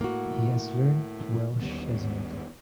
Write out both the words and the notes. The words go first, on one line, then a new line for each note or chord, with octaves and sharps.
He has learnt Welsh as an adult.
A2 A#3 F#4
D#2 G3 B3